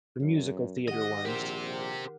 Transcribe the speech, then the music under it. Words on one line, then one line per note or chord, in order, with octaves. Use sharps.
The musical theater ones.
F#2
D#3 G4 D#5 F#5
A#1 G4 A#4 C5